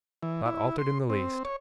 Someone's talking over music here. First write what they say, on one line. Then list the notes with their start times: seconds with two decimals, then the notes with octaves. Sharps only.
Not altered in the least!'
0.23 E3
0.46 E4
0.79 C6
1.10 C4
1.45 C#5